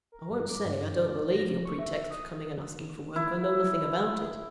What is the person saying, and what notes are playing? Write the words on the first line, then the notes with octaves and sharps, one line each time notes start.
I won't say, I don't believe your pretext for coming and asking for work; I know nothing about it.
A#4
G2
D6
G2
D5
A#6
F3
C#6
E5
D#6
E4